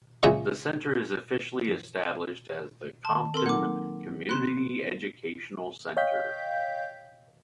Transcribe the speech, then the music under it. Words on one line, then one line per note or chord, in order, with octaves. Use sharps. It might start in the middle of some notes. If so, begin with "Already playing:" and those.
The center is officially established as the Compton Community Educational Center.
C#2 A#2 G#4 D#5 E5 C#6
D#3 A5 C6
C4 A4 A#4 C6
F#3 A#3 D#4 F#5 D6
B3 C6 F#6
C#5 D#5 F5 G5 G6 B6